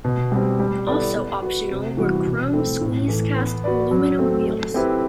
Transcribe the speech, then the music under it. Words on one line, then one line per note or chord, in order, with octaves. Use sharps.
Also optional were chrome squeeze-cast aluminum wheels.
B2
G3 C4 G4
G3
B3 E4 A4 D5
B3
F#4 B4
C3
E3 G3 B3 F#4
B2
A3 C4 E4
A2
E3 A3
B3
F#4 B4 D5
F#3
A3 C4
A3
C4 E4 G4 B4